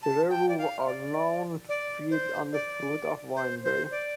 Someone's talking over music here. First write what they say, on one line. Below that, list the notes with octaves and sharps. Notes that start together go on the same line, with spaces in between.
Kereru are known to feed on the fruit of wineberry.
A5
G5
D5
F5
D5
D5
C5
D5
C5
C5
D5